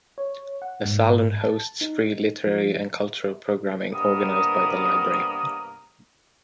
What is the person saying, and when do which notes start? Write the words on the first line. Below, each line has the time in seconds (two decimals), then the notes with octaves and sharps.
The Salon hosts free literary and cultural programming organized by the library.
0.18 C#5
0.62 F#5
0.85 G#2
1.40 A5
1.81 D#4
2.47 F3
3.92 G2 C3 A#3 B3 A#4 D#6